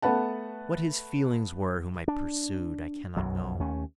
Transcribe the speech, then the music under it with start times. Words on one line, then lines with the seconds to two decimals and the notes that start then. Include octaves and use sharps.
What his feelings were whom I pursued I cannot know.
0.02 A3 B3 B4 F#5 A5
2.08 D4
3.17 B1 F#2 B2 F#3
3.59 D#2 A3 C#4